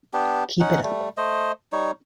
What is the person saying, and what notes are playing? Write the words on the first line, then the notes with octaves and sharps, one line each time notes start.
Keep it up!
B3 D4 G4
C#4 D#4 F#5
G3 A3
A3 C5 D#5
G3 D#4 C#5